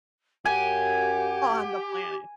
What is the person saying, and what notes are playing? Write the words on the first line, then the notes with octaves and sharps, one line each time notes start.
on the planet.
F#2 G4 F#5 G#5